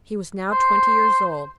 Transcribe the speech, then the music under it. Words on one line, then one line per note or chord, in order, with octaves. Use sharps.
He was now twenty years old.
C5